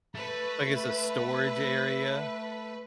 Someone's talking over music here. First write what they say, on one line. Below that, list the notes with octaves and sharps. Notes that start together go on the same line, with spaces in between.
Like, it's a storage area.
A3 B4